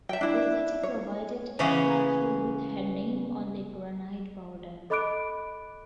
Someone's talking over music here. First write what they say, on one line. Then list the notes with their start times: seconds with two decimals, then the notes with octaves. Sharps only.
The City provided a plaque with her name on a granite boulder.
0.09 E5 G5
0.21 D4 E4
0.83 C#5
1.59 C#3 E3 B3 C#4 G#4
4.90 A4 D#5 B5 D6 F#6 D7